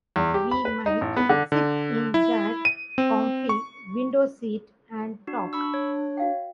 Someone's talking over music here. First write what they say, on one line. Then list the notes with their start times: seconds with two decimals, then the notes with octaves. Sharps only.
We might sit in that comfy window-seat and talk.
0.16 E2
0.34 G4
0.51 B5
0.65 B4
0.86 D#4
1.01 A1
1.16 B3
1.29 D3
1.52 D3
2.14 E4
2.65 D#7
2.98 C4
3.49 C#6
5.27 D4 F#4
5.53 D4 B5 C#6 E6
5.74 C#5
6.17 F#4 F5 G5